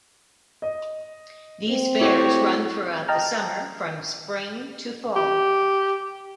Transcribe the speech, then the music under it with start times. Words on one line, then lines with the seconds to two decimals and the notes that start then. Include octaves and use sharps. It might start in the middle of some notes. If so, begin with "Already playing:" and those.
These fairs run throughout the summer, from spring to fall.
0.62 D#5
1.70 C4
2.00 A3 E4 F#4 G4 C#5
3.08 D#5 G5 A5 A#5 F6
5.16 G4